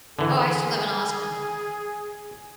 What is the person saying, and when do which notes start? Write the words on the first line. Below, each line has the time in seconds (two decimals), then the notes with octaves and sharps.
Oh, I used to live in Austin.
0.19 D3 E3 G#4